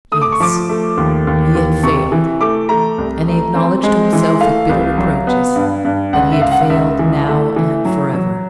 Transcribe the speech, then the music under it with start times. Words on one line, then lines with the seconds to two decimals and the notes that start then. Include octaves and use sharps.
Yes; he had failed: and he acknowledged to himself, with bitter reproaches, that he had failed, now and for ever.
0.12 A3 D#6
0.22 D6
0.32 C#6
0.40 F3 D6
0.69 A3
0.97 D#2
1.27 D#2
1.55 D#2
1.83 C3 C#6
2.12 E3
2.41 A3 D6
2.69 A3 A#5
2.98 C2
3.27 A3
3.55 C4
3.83 G#3
4.13 E3
4.41 A3 F5
4.70 C2
4.98 F#3
5.27 B3
5.56 G2
5.85 G2
6.13 C#2 F#5
6.32 E5
6.41 C#2 F5
6.51 F#5
6.61 F5
6.70 C#2 E5
6.99 E3
7.28 A3
7.56 E3
7.85 F#3
8.13 F#3